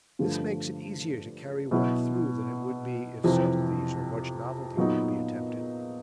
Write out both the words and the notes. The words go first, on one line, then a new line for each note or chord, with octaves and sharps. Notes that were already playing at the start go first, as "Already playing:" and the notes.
This makes it easier to carry one through than it would be if subtleties or much novelty were to be attempted.
G2 D3 F3 A3
B2 F#3 B3 E4
F2 C3 E3
A#2 F#3 B3 D#4